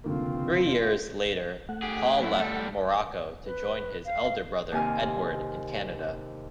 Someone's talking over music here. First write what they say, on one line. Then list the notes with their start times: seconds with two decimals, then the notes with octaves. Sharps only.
Three years later Paul left Morocco to join his elder brother Edward in Canada.
0.04 F1 D2 C#3 E3 A#3 C4 F4
1.69 A3 F#5
1.82 G4 G#4
2.20 F#2 E4
2.38 G3 A4
3.44 B4
4.05 F5
4.72 D#2 C3 G#5 F6